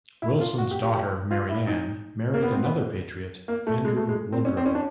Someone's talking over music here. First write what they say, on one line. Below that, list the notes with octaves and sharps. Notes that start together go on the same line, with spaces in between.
Wilson's daughter, Mary Ann, married another patriot, Andrew Wodrow.
E4
F4
F#4
G4
G4
G4
F4
E4
D#4
A#3
B3
C4
B3
A#3
A3
G#3
A3
G#3
C4
C#4
C4
C#4
D4